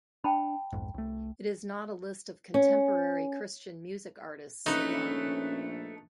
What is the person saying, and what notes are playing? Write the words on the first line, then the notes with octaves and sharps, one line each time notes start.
It is not a list of contemporary Christian music artists alone.
D4 G5 A5 B5
B1 F2 G#2
C2 A3
C#4
A#1 A3 C#4 D#4 B4